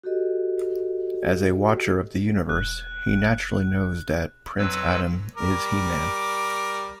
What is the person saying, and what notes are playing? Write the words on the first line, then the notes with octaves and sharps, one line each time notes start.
As a watcher of the universe, he naturally knows that Prince Adam is He-Man.
F#4 G4 A4 D#5
E1 F#6
F#1
F2 F#3 B4 E6
G3 A#4 D6